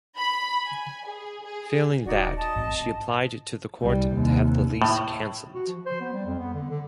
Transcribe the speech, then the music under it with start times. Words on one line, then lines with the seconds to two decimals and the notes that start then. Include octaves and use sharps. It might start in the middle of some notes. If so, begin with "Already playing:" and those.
Failing that, she applied to the court to have the lease cancelled.
0.17 B5
0.64 G#5
1.07 G#4
1.42 G#4
2.06 D#1 D#4 F#4 D5
2.38 D#5 A5
2.56 G#1 G#2
3.81 C2 G3
4.15 D#2 C3
4.82 A2
5.55 F#4
5.67 F3
5.86 C5
6.01 B3
6.13 G3
6.26 F2
6.39 B3
6.54 D3
6.71 D3